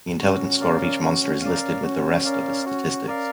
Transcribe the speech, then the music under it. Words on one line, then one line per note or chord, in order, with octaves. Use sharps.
The Intelligence score of each monster is listed with the rest of its statistics.
C#4 F#4
A#4 D5 F5
F#4
A#4 D5 F5
C#4 F#4
A#4 D5 F5
F#4
A#4 D5 F5